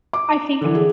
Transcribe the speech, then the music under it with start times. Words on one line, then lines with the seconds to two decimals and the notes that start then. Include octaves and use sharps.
I think
0.13 D6
0.61 D3 E3
0.75 G#4